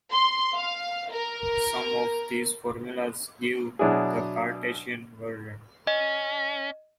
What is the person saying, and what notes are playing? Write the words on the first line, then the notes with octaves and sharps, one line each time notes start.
Some of these formulas give the "Cartesian" version.
C6
F5
A#4
B2 F#3 D4 E4 G#4
C#4 D#5